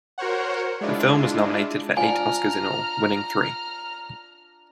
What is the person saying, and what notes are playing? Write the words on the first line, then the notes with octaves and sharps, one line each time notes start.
The film was nominated for eight Oscars in all, winning three.
F#4 A#4 C5 C#5 F#5
G#3 D4 E4 F4
D4 F4 G#5 A#5 F6